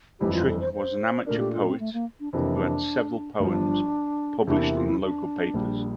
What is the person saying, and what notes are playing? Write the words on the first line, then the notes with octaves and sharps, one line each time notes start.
Trick was an amateur poet who had several poems published in local papers.
G1 F2 E3 G3 G4
F4
A4
C5
C5
A#2 A3 D4 A#4
G4
F4
C4
A3
A#3
D4
F2 C3 E3 A#3 D4
G1 G2 F3 D4
C4
E2 C3 E3 A#3 D4 E4
D4
F4
E4
D4
A#1 A#2 G3